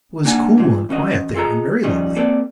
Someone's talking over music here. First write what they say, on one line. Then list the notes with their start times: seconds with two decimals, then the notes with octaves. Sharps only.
It was cool and quiet there, and very lovely.
0.25 A#3 D4 D#4 F#4 F#5 G#5
0.56 B1 E2 E3 G#3 F4
0.89 E3 C#4 F#4 D#5
1.34 F4 G#4 A4 D#5 A#5
1.83 F3 G3 C#4 D#4 D#5
2.16 A#3 C4 A4 B4 D5